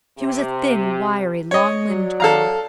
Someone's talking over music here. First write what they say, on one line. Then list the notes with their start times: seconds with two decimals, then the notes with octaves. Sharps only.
She was a thin, wiry, long-limbed girl.
0.19 C3
1.51 C#5 D#5
1.87 F#3 D5
2.20 A4 F5 A#5